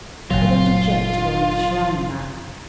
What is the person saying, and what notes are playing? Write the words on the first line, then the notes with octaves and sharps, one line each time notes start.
I don't object to going to Schlangenbad.
F#1 A#2 F#3 F4